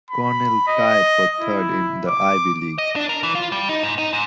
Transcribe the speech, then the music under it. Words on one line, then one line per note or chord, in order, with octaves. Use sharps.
Cornell tied for third in the Ivy League.
B5
D#5
E4
D6
D#5
D4
A#4
E3
F4
G3
D#4
G#2
D#4
G#2